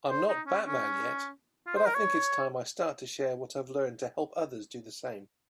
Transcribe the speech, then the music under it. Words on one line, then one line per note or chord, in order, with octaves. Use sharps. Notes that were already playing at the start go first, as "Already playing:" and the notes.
I'm not Batman yet, but I think it's time I start to share what I've learned to help others do the same.
C5
D#4
C#4
C#4
F4
C5
A#4
C#5